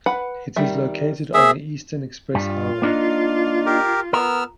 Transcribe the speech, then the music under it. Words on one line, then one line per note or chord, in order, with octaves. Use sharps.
It is located on the Eastern Express Highway.
B4 F#5 B5
D#3 G3 E5
A#3 G#4 C5 E5
G2 G3 F4
A#3 D4 D#4
G4 A#4
B3 A#4 E6 F6